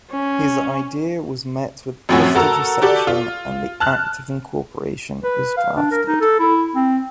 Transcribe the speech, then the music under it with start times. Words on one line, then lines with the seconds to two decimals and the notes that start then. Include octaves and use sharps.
His idea was met with positive reception and the act of incorporation was drafted.
0.12 C#4
2.09 F#2 A2 F3 C4 C#4 F#4
2.35 F#4 A4 A#4 A#5 E6
2.82 F#4 G4 A4 D5
3.07 F4
3.80 A5 F6 F#6
5.24 B4
5.57 F5
5.76 D4
5.91 A#4
6.08 D#4
6.21 A4
6.39 E4
6.75 C4